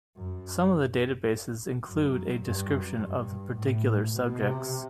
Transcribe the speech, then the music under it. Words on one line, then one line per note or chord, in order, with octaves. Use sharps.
Some of the databases include a description of the particular subjects.
F#2
F#2
G2
F#2
G2
A2
B2
C3